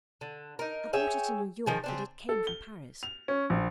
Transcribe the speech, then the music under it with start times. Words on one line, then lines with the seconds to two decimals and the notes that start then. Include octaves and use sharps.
I bought it in New York, but it came from Paris.
0.21 D3
0.59 D#4 A#4
0.93 G#4 C#5 E5 G5
1.66 D#3 F3 G#4
1.84 C#3 C4 D4
2.29 A4
2.47 G7
3.03 F7
3.28 C#4
3.50 A#1